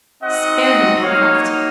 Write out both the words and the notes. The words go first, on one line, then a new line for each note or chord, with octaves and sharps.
"Spare him, Pencroft."
C4 D#4 F#4 D#5 F#5
A#3 D#4 F#4 C#5 F5